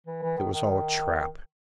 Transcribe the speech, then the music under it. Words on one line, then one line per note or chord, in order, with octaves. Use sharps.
It was all a trap.
E3
E3
D#3
D#3